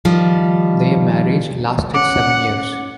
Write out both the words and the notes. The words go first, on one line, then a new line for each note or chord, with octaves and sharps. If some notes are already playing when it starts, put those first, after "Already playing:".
Their marriage lasted seven years.
D#3 F3 G3
C#4 F#5 D6